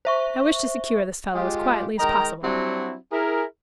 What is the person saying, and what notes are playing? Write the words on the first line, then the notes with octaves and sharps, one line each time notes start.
I wish to secure this fellow as quietly as possible.
C5 E5 C#6
G#3 F4 G4
D#3 G#3 D#5 G5 A#5
F#3 G3 C4 D4 E4 F#4
E4 G#4 A#4